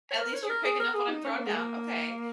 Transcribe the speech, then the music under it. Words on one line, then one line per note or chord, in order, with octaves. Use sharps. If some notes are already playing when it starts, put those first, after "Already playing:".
at least you're picking up what I'm throwing down, okay.
C#5
A#4
C#5
G#4
A#4
G#4
A#4
G#4
D#4
C#4
A#3
G#3
A#3